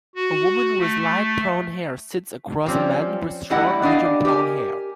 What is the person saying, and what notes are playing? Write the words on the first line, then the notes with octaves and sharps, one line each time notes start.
A woman with light brown hair sits across a man with short medium brown hair.
F#4
A3
F3 G3 C4 C#4
E3 G3 A3 E4 D#5 F#5
B3 D4 G4 D#5 F5
G4 A#4 G#5